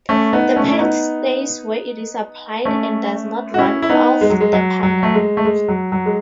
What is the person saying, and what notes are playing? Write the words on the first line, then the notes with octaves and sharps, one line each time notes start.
The paint stays where it is applied and does not run off the panel.
A3 C#4
B3 D#4
A3 C#4
E4
B3 D#4
A3 C#4
F#4
C#4 E4
E4
B3 D#4
G#3
F#3
G#3
F#3
F#3
A3
G#3
A3
G#3
F#3
F#3
G#3